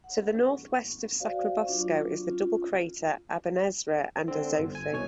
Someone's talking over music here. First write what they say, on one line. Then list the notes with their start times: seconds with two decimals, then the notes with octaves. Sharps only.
To the northwest of Sacrobosco is the double crater Abenezra and Azophi.
0.04 F#5
0.44 C#6
1.20 F#4 C5 D5 F5
1.66 F#3 D4 F4 C#6
2.27 C#4 F4
4.28 D3 C4
4.58 G1
4.75 G#5
4.92 C2 B2 C#5 G#5